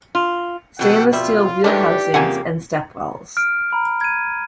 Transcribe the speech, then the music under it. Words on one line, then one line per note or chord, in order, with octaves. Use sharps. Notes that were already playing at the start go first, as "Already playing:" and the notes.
Stainless steel wheelhousings and stepwells.
F4
F2 B2 A4 F#5 G5
G3 F4 E5
D#3 E3 A3 D4 G4
F2 C#3 A#3 F#5 G#5
F6 D7
A#5 B5
G#6 D#7